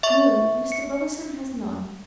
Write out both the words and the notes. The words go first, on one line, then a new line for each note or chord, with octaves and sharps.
"No, Mr. Brotherson has none."
E5 C#6
C#7